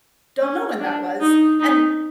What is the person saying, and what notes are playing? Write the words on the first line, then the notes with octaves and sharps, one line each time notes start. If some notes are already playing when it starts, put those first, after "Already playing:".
don't know when that was, and,
C#4
D4
D#4
D#4